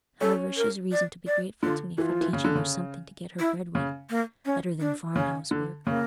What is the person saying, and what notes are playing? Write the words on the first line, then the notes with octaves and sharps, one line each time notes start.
However, she's reason to be grateful to me for teaching her something to get her bread with, better than farm-house work.
C#4 A4
A#4
D5
D5
D3 F4
E3 F4 A4
F3
E3
C#3
D3
C#3
E4
C#3
A#3
C#4
D4
C#3 C#4
D3
C#3 A#3